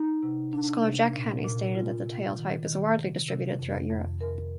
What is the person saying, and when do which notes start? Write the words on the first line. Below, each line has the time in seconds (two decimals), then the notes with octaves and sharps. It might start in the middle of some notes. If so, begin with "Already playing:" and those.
Scholar Jack Haney stated that the tale type is "widely distributed throughout Europe".
Already playing: D#4
0.23 C3
0.53 D4
0.83 C3
1.14 A#2
1.45 A#2
1.75 F4
2.06 C3
2.37 D#3
2.68 D#3
2.98 C3
3.29 C3
3.59 F2
3.91 F2
4.21 A#4